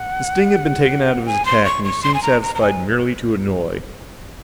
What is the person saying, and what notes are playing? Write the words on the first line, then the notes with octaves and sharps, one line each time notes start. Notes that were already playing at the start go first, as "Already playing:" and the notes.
The sting had been taken out of his attack and he seemed satisfied merely to annoy.
Already playing: F#5
G#5
C6
C#6
C#6
C6
G#5
A#5
A#5
A#5
G#5